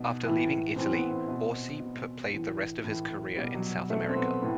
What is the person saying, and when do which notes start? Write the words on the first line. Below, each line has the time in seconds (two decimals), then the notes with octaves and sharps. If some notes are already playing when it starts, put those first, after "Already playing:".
After leaving Italy, Orsi played the rest of his career in South America.
Already playing: B2 D#4
0.23 A2 E3
0.76 A2 E3 C4
0.93 B3
1.10 C4
1.28 B2
1.80 B2
2.32 A2 E3
2.84 A2 E3
3.37 B2 G3
3.54 F#3
3.90 B2 A3
4.09 C4
4.16 B3
4.41 A2 B3